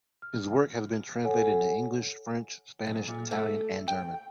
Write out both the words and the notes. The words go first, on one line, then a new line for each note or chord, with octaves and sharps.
His work has been translated into English, French, Spanish, Italian and German.
F6
A4 C#5 F#5 G#5
B1
A#2
A3
G5